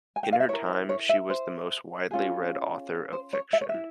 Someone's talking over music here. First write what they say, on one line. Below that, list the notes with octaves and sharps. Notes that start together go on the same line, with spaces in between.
In her time, she was the most widely read author of fiction.
G#5
G5
F5
E5
E4 A#4 C#5
C5
C#5
E5
C5
C#4 F4 G#4
C5
C#5
E5
C#5
E5
E4